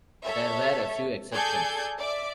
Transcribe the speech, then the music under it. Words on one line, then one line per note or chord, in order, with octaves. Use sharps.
There were a few exceptions.
A4 C#5 E5
G#4 A4 D5 G#5 G6 G#6
D5 E5 D6